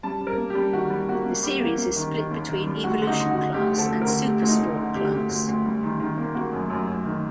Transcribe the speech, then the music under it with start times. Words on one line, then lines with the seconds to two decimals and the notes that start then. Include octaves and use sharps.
The series is split between Evolution class and Supersport class.
0.03 G3 A5
0.21 G3
0.27 A#4
0.38 A#3
0.50 G4
0.55 G3
0.73 D#3 F#4
0.90 G3
1.09 A#3 F#4
1.25 A#3
1.43 G3 G4
1.60 A#3
1.78 A#3
1.96 D#3
2.14 D#3
2.31 D#2
2.49 D#3
2.66 G3
2.83 D2 F#4
3.02 D3
3.07 D#4
3.20 D3
3.31 F#4
3.37 D3
3.54 D2 G4
3.71 D3
3.78 A4
3.89 D2
4.01 A#4
4.07 D3
4.24 A3 G4
4.42 D2
4.47 D#4
4.59 D2
4.77 D3
4.95 D2 G4
5.12 D2
5.29 D2
5.48 D2
5.65 G3
5.83 D#3
6.00 D#3
6.17 A#3
6.35 A#3 F#4
6.53 F#2
6.70 F#2
6.87 F#2
7.05 D#3